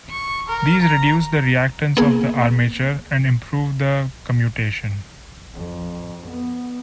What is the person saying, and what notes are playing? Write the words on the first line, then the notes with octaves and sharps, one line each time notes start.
These reduce the reactance of the armature, and improve the commutation.
C#6
A#4
A#5
A#3 B3 G#4
F2
B3